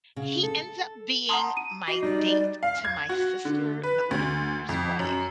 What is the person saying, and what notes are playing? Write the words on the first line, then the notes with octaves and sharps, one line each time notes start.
he ends up being my date to my sister my little sister's wedding.
C#3
A4
F#5 A5 A#5 C6 D#6
D#7
F#4 D#5 C7
G3 D#4 D5
F5
G#6
F#4
D3
B4
D2
F2
F#2